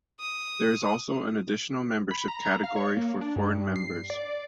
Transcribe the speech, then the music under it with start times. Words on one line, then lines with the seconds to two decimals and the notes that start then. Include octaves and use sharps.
There is also an additional membership category for foreign members.
0.20 D#6
2.11 B5
2.28 A#5
2.64 F5
2.76 C#5
2.97 A#3
3.21 D4
3.36 G2
3.76 C7
4.10 D5